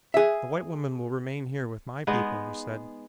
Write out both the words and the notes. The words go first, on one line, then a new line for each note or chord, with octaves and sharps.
"The white woman will remain here with my people," he said.
G#4 E5
G#3 B3 D#4